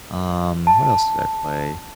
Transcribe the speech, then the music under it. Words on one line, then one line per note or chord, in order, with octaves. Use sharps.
um, what else did I play?
A5